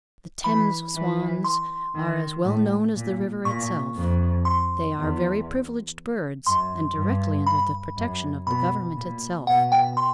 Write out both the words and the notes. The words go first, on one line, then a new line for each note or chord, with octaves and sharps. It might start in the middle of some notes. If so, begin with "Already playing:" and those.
The Thames swans are as well known as the river itself. They are very privileged birds and directly under the protection of the government itself.
E3 B5
E3
C6
D#3
A2
A#2
A#2 C#6
F2
C6
E2
F#2 C6
G2
B5
F#2
B2 B5
A#2
B2 F#5
G5
C6